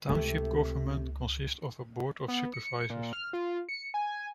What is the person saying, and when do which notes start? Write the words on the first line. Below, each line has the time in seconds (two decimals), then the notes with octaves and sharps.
Township government consists of a board of Supervisors.
0.08 C#2 C3 A3 E4
2.28 B3
2.54 C#7
2.90 A#2
3.13 F6
3.33 F4
3.69 C#7
3.94 G#5